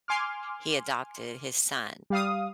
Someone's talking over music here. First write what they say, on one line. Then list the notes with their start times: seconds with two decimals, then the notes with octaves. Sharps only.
he adopted his son,
0.08 G#5 C6 D6 F6
2.10 G3 F5 D#6